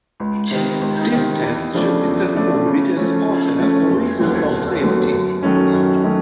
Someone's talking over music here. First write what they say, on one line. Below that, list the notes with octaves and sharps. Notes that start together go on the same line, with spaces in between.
This test should be performed with a spotter for reasons of safety.
C#2
C3 D#3
C#2
C3 D#3
E2
C#3 F3 A3 D4
E2
C#3 F3 A3 D4
C#3
F3 A3 C#4
C#3
F3 A3 C#4
F1
D#2 D3 F#3 B3
F1
D#2 D3 F#3 B3
F#2
D#3 F#3 A3 C#4
F#2
D#3 F#3 A3 C#4